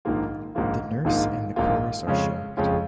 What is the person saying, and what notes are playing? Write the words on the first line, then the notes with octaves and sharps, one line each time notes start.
The nurse and the chorus are shocked.
A#1 G#2 D#3 A#3 F4
A#1 G#2 D#3 A#3 F4
A#1 G#2 D#3 A#3 F4
A#1 G#2 D#3 A#3 F4
F2 C#3 G#3 C#4 F4
F2 C#3 G#3 C#4 F4